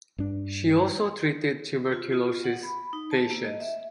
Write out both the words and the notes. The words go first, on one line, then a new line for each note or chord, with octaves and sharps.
She also treated tuberculosis patients.
G2 D4
F4
F4
F4
F#5
B5
D#4
A5
A#3
D#5
E5